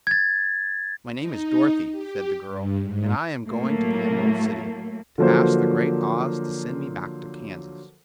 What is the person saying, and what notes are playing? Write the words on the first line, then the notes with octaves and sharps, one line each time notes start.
"My name is Dorothy," said the girl, "and I am going to the Emerald City, to ask the Great Oz to send me back to Kansas."
G#6 A6
D#4
G4
G2
G#2
A2 F#3 A3 A#3
D3 F3 F#3 A#3 A4 C5